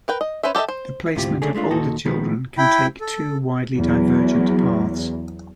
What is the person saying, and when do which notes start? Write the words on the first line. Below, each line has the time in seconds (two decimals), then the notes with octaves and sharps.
The placement of older children can take two widely divergent paths.
0.08 A#4 B4 G5
0.21 D#5
0.43 C#4 B4 C5 E5
0.55 G4 A4 C#5 D#5 E5
0.68 C5
1.15 D2 G#2 C3 E4 F4 G4
1.42 D3 A3 D4 G#4
1.54 G#3 A3 D4 F4
1.71 D#2 A#2 D#4 F#4 A4
2.05 D#3 F3 G#3 B3
2.58 E4 G5 B5
3.01 A4
3.77 E2 F#3